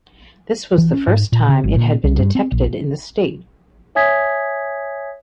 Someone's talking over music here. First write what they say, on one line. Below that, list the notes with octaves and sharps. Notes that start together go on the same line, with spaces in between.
This was the first time it had been detected in the state.
E3
C#4
G#2
A#2
C#3
G#1
A#2
C2
G2
C4
A#1
C#5 E5 G#5 D#6 G#6 B6